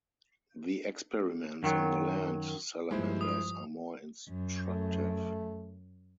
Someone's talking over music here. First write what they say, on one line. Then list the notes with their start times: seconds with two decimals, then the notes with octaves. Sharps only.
The experiments on the land salamanders are more instructive.
1.63 F#2 D#3 E3 F#3
2.91 G2 F3 G#3 E4 C5
3.21 D#6
4.28 F#2
4.69 A3